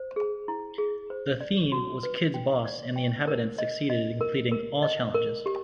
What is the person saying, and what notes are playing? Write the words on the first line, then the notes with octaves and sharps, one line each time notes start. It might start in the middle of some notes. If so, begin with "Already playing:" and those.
The theme was "Kids boss" and the inhabitants succeeded in completing all challenges.
Already playing: C5
G#4
E4
G#4
C5
D5
F#4
B4
G5
D5
G5
A#4
D#5
D#5
A#4
A#4
D#5
A#4
G4